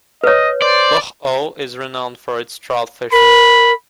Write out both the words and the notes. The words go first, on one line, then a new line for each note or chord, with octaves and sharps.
Loch Awe is renowned for its trout fishing.
B4 C#5 D#5
C5 D5
A#4 B5